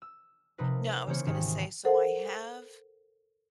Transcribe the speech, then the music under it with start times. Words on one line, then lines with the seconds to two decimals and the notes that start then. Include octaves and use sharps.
No, I was gonna say, so I have
0.02 E6
0.58 C3 F3 C4 D#4 A#4 B4
1.07 C#3 E3 A#3 C4 C5 C#5
1.27 G#1 D#3 G4 G#4 C#7
1.85 A4 A#4 C5 F#5